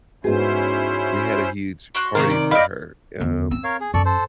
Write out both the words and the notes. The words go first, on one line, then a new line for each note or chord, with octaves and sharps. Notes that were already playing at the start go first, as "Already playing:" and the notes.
we had a huge party for her, um,
G#2 B3 C#4 E4 F#4 G#4 C5
F#4 C6 F#6
C3 D#3 C#4 A#4 C5 F5
D5
D5 D#5 F5 B5
E2 D3
C4 E6
A#4 C#5 F5
G#4
F#2 A4 D5 C#6
A4 C5